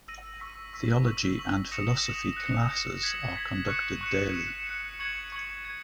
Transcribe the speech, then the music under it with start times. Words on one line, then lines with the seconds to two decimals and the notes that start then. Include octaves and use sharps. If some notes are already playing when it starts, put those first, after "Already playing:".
Theology and philosophy classes are conducted daily.
0.08 E6 A#6 D#7 F#7
0.40 C#6 E6 B6
0.73 C#6 E6 B6
1.06 C#6 E6 B6 F#7
1.39 C#6 E6 B6 F#7
1.71 D#6 A#6 C#7 E7
2.04 D#6 A#6 C#7 E7
2.37 F#6 A#6 C#7 E7
2.70 F#6 A#6 C#7 E7
3.03 G#6 B6 F#7
3.36 G#6 B6 F#7
3.68 C#6 F#6 C#7 E7
4.01 C#6 F#6 C#7 E7
4.33 F#6 C#7 E7
4.67 F#6 C#7 E7
4.99 C#6 G#6 C#7 F#7
5.32 C#6 G#6 C#7 F#7
5.65 G#6 D#7